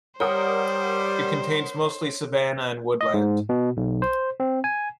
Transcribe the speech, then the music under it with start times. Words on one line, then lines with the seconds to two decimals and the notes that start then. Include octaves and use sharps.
It contains mostly savanna and woodland.
0.20 G3 A#4 C5 C#5 F#5 D#6
3.01 D#5
3.14 G#2
3.49 B2
3.77 B1
4.02 C5
4.40 C4
4.64 G#5